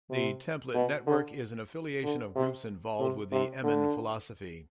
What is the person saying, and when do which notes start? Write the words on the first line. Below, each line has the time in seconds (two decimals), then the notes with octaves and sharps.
"The Template Network", is an affiliation of groups involved with the Emin philosophy.
0.10 C3
0.74 B2
1.06 D3
2.03 D3
2.35 C3
3.00 C3
3.32 C3
3.64 D3